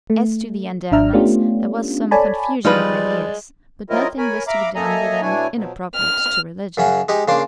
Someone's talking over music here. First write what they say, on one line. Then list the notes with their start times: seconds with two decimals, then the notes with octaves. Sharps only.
As to the endowments, there was some confusion of ideas; but nothing was to be done with them inappropriate to religion.
0.10 A3
0.92 G#1 D4 E5 A#5 F6
1.13 A3 B3 C#4 D4 F4 G4
2.11 A4 C#5 D5 G#5 A5 B5
2.65 F3 G3 G#3 D#4 B4 D5
3.90 F#3 C4 E4 F4 A#4 D#5
4.18 A#4 C#5 G#5 B5
4.47 E5 F5 A#5 B5 D6
4.75 A#3 A4 D#5 E5 G#5 A#5
5.21 B2 A3 D4 E4 C#5 G#5
5.56 B2 F3 F#3
5.94 F6
6.77 F#2 C#3 C#4 F#5
7.09 G#3 D#4 G4 D#6
7.28 C#3 A#3 D4 C6 D6